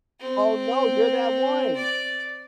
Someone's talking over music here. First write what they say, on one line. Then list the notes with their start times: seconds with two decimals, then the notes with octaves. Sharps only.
Oh, no, you're that one!
0.20 C4
1.76 D5